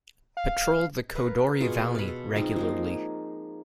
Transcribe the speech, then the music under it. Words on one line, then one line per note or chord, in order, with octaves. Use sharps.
Patrol the Kodori Valley regularly.
F5
A#4 B4 F5
B2 F4 G#4
F5 B5
A4
F3 G#3 C4 D#4
F3 G#3 A#3